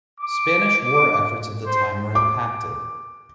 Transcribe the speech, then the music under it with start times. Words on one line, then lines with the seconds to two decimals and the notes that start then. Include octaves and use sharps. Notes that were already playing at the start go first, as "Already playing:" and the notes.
Spanish war efforts of the time were impacted.
0.20 D6
1.66 C5
2.15 D6